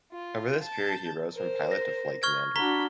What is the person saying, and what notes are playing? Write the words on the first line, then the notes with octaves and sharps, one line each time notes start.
Over this period he rose from pilot to flight commander.
F4
A5 G6
A#4 C5
A#6
C#6 F6 G#6
D4 F#4 A#5 B5 B6 G7